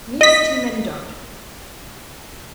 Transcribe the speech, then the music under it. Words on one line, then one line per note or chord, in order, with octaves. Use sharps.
Mere City men don't.
D#5 B6